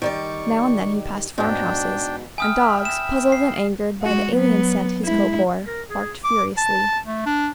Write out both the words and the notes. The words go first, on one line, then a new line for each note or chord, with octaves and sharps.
Now and then, he passed farmhouses, and dogs, puzzled and angered by the alien scent his coat bore, barked furiously.
D#3 G3 D5 C#6
G#2 B2 D4 G5
E5 G5 G#5 B5 D#6 F6
E7
C7
G#3 F#4
F#3 B3
G#3 E4
A#4
G#4
D6
A5
A3
D4